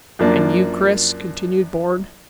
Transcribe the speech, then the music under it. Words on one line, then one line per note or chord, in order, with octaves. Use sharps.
"And you, Chris?" continued Bourne.
F#2 F3 A#3 D4